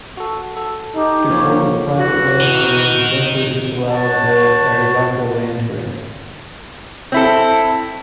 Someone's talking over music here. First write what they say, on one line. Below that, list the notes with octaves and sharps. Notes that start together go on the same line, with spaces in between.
The Court of Private Land Claims eventually disallowed the Arivaca Land Grant.
F#4 A4
A4
D#4 G4
F3 A#3 C#5
E3 F#4
D#3
F#4 C#5 A5
C4 E4 A4